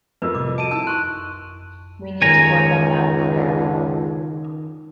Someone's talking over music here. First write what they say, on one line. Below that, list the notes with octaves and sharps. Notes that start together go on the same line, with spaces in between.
We need to work on that in parallel.
F2 F4 A#4 B4
A2 C3 G3 D6
F#4 A4 D#5 A5 D7 D#7
D#4 E4 A5 E6
C6 C#6 F#6 E7
C#2 D#3 C#5 G#5 A#5